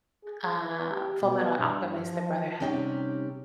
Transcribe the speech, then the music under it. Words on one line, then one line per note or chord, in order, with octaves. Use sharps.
uh, Fullmetal Alchemist: The Brotherhood,
G#4
E3
G4
B2
G2
F3
C3 G3 C#4 D#4 G4 D5